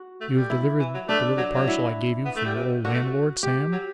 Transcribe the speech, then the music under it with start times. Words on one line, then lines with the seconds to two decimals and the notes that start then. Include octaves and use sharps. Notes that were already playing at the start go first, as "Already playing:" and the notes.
'You have delivered the little parcel I gave you for your old landlord, Sam?'
Already playing: F#4
0.21 A3
0.36 G3
0.50 E4
0.79 E3
0.94 F#3
1.09 A3 D4
1.37 F#3
1.52 F#3
1.67 E4
2.25 B3
2.36 A3
2.45 G3
2.55 C3
2.84 D3 F#4
2.94 A3
3.43 G4
3.72 F#3